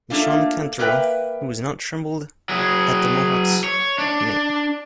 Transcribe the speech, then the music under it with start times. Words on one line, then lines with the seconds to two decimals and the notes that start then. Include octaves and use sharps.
Meshon Cantrill, Who has not trembled at the Mohocks' name?
0.10 A3 A#3 D4 F4
0.79 A#3 A#4 B4 E5 G5
2.49 F#3 G#4
3.64 C#5
3.98 D4